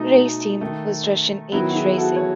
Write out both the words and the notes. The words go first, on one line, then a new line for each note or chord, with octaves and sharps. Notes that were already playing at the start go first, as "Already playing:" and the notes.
Race team was Russian Age Racing.
Already playing: B2 A3 D#4
D#3 A3
D#3 F#3 B3 E4
F#4
E4 G#4
F#4 A4
C#5